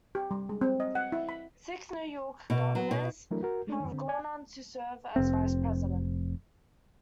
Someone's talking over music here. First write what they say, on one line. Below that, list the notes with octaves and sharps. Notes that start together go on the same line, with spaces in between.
Six New York governors have gone on to serve as vice president.
G4
G3
G#3
C4
D#5
F#5
E4
B5
B2
F#3
B2
E3 F#3 A3 D4 E4 A#4
F#4 A#4
G#3 A3 C#4 D4
F#2 D#3
D3 C4
D5 G#5
F1 C4